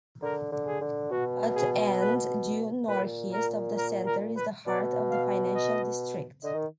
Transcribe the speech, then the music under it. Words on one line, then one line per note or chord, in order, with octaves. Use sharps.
At and due northeast of the centre is the heart of the Financial District.
D3 A#4
D3
G#4
D3
B2 F#4
G#4
B4
A#2 B4
A#4
A#4
A#4
B4
B2 D5
F5
D#5
D3 D#5
D#3